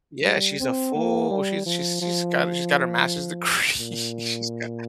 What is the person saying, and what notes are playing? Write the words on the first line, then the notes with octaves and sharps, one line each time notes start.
yeah, she's a full oh, she's she's she's got she's got her master's degree, she's got
G3
C4
A#3
G3
F3
F3
A#2